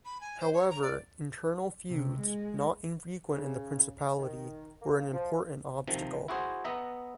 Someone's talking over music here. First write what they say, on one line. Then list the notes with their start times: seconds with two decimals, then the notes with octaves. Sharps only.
However, internal feuds, not infrequent in the principality, were an important obstacle.
0.05 B5
0.21 G#5
0.40 C5
0.53 C#5
0.70 A#5
0.82 D5
1.89 C3
2.20 G#3
3.35 C#3
4.18 D#3
4.82 A#3
5.13 F3
5.88 C3 D#3 F3
6.28 E4 F#4 G#4 C5
6.64 B3 D#5 E5 A#5